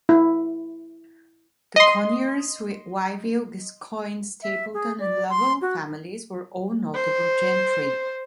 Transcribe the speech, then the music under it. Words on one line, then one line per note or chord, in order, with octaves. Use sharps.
The Conyers, Wyville, Gascoigne, Stapleton and Lovell families were all notable gentry.
E4
D#5 C6
E5
G#4
D5
C6
F#4
C5